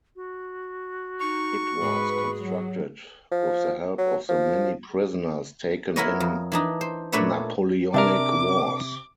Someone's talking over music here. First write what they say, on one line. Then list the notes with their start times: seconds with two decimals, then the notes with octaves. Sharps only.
It was constructed with the help of the many prisoners taken in Napoleonic Wars.
0.16 F#4
1.20 D#4 C#6
1.81 G#2 G#4 B4
2.39 F#3
3.32 F3
3.98 F#3
4.29 F3
5.96 E4 F#4 A#4 B4 C#5 D#5
6.20 F2
6.52 E3 D4 D#4
6.81 C5
7.12 A#2 A3 D4 B4 C#5 E5
7.94 C3 D4 A#4 E5 D6